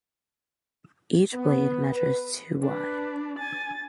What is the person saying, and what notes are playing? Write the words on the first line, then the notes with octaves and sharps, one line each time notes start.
Each blade measures to wide.
B3
B4
D4 B4
G#5 A6